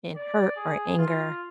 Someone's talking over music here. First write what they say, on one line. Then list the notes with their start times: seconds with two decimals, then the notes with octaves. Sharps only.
in hurt or anger,
0.16 D5
0.56 G#4
0.98 F4